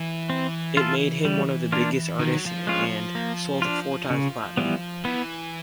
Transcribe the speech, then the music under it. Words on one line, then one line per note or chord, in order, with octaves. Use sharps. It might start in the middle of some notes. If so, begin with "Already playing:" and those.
It made him one of the biggest artists, and sold four times platinum.
Already playing: E3
C4
F4 A4
G3
A#3 D4 F4
D#3 F3
F#3
F3
G#3 C#4 F4
A#3
D4 F4
C#3
E3 G3 B3
E3 B3